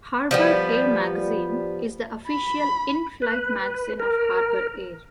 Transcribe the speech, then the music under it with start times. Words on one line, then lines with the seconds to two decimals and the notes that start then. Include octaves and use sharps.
"Harbour Air Magazine" is the official in-flight magazine of Harbour Air.
0.31 F3 G3 B3
2.28 B5
3.22 B4
4.00 A#4